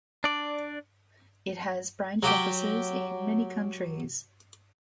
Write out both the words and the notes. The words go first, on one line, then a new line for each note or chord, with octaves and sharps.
It has branch offices in many countries.
D4 D5
F#3 G4 G5